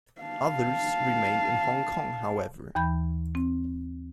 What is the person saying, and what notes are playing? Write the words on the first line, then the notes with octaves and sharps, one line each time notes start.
Others remained in Hong Kong, however.
F5 A5
D#2 E3 B5 G6
C4